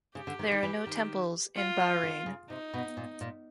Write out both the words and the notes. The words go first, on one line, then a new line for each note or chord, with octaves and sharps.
There are no temples in Bahrain.
C#3 G4
D3
D#3
D3
D#3
E3
D#3
F4
D3
C#3
C3 D#4
B2
A#2
A#2